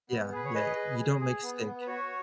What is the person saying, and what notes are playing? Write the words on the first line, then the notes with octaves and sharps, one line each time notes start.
Yeah, yeah, you don't make steak.
B3
G#4 B4
C#5
G#4 B4 D#5
G#4
G#4
G#4
B3
B3
B4
F#4 C#5